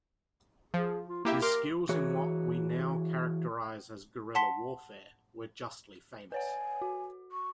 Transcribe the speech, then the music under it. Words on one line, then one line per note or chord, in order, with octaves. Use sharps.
His skills in what we now characterize as guerrilla warfare were justly famous.
F3 G#4
F4
A#3 E4 G4 E5
A#4 C6 D6 F6
E3 F#4 G#4 C#5
F#5 A5 C6 B6 G7
B4 C#5 F#5 G#5
F#4
C#6